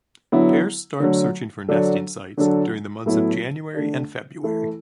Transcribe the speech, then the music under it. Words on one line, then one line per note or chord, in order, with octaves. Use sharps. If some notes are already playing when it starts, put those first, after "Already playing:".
Pairs start searching for nesting sites during the months of January and February.
D3 F#3 B3 E4
D3 F#3 A3
D3 F#3 D4 A4
D3 F#3 D4 A4
A2 F#3 B3 E4 A4
D3 A3 D4
E3 A3 E4 A4